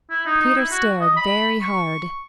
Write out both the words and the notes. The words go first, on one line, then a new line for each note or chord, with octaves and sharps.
Peter stared very hard.
E4
D#4
D#4
E4
F#4
D#5
B5
C#6